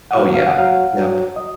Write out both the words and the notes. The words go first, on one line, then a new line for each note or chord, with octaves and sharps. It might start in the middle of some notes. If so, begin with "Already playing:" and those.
Oh, yeah. Yep,
F#5
F#3 F5
F5
F#5
F#3 F5
F#3
D#5